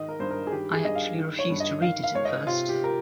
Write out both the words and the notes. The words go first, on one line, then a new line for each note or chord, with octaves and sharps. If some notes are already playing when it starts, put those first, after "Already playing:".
I actually refused to read it at first.
Already playing: G#2 D#3 D#5
A#4
G2 C5
A#4
G#4
D#3 G4
G#4
G2 D#5
F5
D#3
C#5
G2
D#5
D#3 F5
F5
G#2 C#5
D#5
C3 F4
G4
A#4